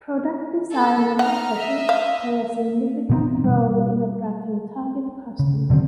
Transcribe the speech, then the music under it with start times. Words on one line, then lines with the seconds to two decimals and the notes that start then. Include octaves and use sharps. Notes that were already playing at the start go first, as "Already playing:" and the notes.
Product design and aesthetics play a significant role in attracting target customers.
0.72 A4
1.19 D#4 F#5 A#5 F6
1.55 D#5 E5
1.89 F5
3.10 B2 E3 B3 C4
3.44 B2 G3
5.39 C#3
5.70 B2 D3 F#3 C4